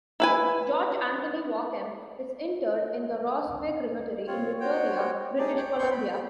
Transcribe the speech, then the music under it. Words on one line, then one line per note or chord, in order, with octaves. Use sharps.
George Anthony Walkem is interred in the Ross Bay Cemetery in Victoria, British Columbia.
E4 B4 G#5
C4 F4 C#5
F#4 C5 C#5 G5
D4 D#4 G4 G#4 D5
C#5 G5
B3 C5 G5 C6 C#6 G6
G5 B5